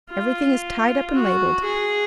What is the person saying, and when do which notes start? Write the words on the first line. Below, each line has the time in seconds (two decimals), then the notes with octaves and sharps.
Everything is tied up and labelled.
0.11 F4
1.14 F#4
1.65 G#4